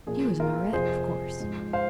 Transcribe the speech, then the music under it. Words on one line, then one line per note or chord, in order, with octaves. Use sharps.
She was an Aurette, of course.
A#2 F3 G#4
F4 A#4
F2 C3 F3 G#4 C5
G#2 F3
C5 F5